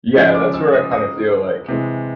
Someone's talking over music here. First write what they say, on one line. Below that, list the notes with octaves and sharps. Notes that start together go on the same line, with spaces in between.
yeah, that's where I kinda feel like,
C#3 F3 G#3
D6
E6
D#6
D#6
C3 E3 G#3